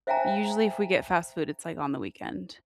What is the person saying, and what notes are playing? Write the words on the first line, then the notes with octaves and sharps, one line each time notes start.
usually, if we get fast food, it's like on the weekend.
C5 E5 F5 G5 G#5 A#5